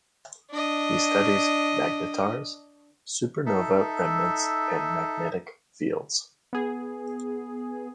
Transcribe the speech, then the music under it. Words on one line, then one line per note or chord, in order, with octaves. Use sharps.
He studies magnetars, supernova remnants and magnetic fields.
D4 D#5
D#4 A4 E5
B3 G#4